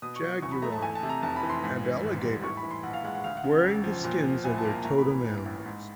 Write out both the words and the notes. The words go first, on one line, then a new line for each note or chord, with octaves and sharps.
"Jaguar" and "Alligator," wearing the skins of their totem animals.
B2 D#6
C#6
F#3
E2 C#6
B5
A3 A#5
A5
E2 G#5
A5
C3
A#5
F1 A5
B5
E3
C6
G#2
E3
G#1
G3
A2 C#6
B5
E3
C6
A#1 F#5
F5
G#3 F#5
F#5
D2 F5
F#5
C#3
E1
F3
A#2
F3
C2 G#5
A5
A#3
A#5
A2 A#5
B5
E3
B5
A1
A1
G#2